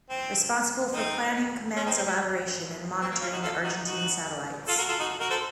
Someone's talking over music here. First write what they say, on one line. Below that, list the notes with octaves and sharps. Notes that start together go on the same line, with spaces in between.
Responsible for planning, commands elaboration and monitoring the Argentine satellites.
C4
C4 D#4
C#4
C4 D#4
C4 D#4
C#4
C4
A#3
C#4 F4
D#4 F#4
F4 A4
D#4 F#4
D#4 F#4
F4 A4
F#4 A#4
F4 A4
D#4 F#4
F#4 A#4
A4 C5